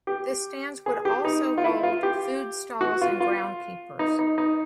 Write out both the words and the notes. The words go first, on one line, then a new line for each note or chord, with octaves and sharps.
The stands would also hold food stalls and ground keepers.
G4
G#4
G4
D#4
F4
E4
F4
G4
F#4
F4
F4
D#4
D#4
D#4